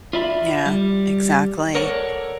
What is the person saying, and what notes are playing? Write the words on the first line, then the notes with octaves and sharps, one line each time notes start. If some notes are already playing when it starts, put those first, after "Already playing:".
Yeah, exactly.
F4 D5 E5 B5
G3
A4 A#4 C#5 D5 F#5